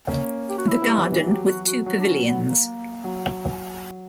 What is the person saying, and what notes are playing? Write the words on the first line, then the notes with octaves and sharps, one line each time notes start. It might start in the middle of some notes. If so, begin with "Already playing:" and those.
The garden, with two pavilions.
A#3 C#4
G4
F#4
E4
G3 B3
E3 G3
E3
F#3 G4
F#4
F#4
F#3 F#4
D4
C#4
B3
A#3
F#3